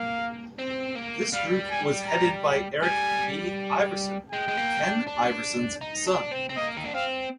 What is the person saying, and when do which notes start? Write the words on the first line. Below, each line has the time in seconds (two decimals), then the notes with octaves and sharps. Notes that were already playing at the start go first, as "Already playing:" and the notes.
This group was headed by Eric B. Iverson, Ken Iverson's son.
Already playing: A#3 F5
0.59 C4
0.95 A#3
1.33 G3 F5
1.71 G#5
2.08 A#5
2.82 G3 G#5
4.32 G#3 G5
4.48 G#3
4.57 A#3
4.82 D4
5.07 D4
5.81 D#4
6.07 D4
6.31 C4
6.49 C4
6.57 A#3 D#5
6.77 D#4
6.85 D4
6.94 C4 F5